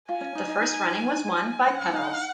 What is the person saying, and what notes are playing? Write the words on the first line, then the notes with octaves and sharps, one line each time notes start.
The first running was won by Pebbles.
F4 G#5
C#4
D#4
D#4
D#4
C#4 F#5
D#4